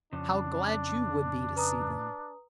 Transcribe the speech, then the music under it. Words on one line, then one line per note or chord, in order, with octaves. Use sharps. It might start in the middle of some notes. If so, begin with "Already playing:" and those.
"How glad you would be to see them!"
F2 C#3 D4
B4 A#5 D#6